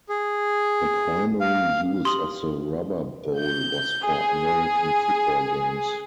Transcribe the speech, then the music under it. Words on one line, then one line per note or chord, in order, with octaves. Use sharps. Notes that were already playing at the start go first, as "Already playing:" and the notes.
The primary use of the Rubber bowl was for American football games.
G#4
F5
G4 C6 D#6 F#7
G6
G#4